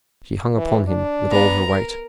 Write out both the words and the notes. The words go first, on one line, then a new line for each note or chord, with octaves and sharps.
She hung upon him with all her weight.
E3
D4
B3 A#5
A#4